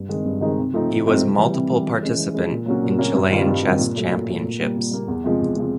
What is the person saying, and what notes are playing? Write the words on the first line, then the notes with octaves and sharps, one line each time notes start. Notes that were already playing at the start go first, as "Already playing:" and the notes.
He was multiple participant in Chilean Chess Championships.
Already playing: G2
D#3 G#3 C4 D#4
G2
D#3 G#3 C4 D#4
C3
F3 A3 C4 D#4
C3
F3 A3 C4 D#4
C3
E3 G3
C3
E3 G3
E3
G#3 C#4
E3
G#3 C#4
A#2
F#3 A#3 C#4 F#4
A#2
F#3 A#3 C#4 F#4
G2
D#3 G3 C4 F4
G2
D#3 G3 C4 F4
A#2
F#3 A3
A#2
F#3 A3
A#2
G3 A#3
A#2
G3 A#3
E2
C3 F3 G#3
E2
C3 F3 G#3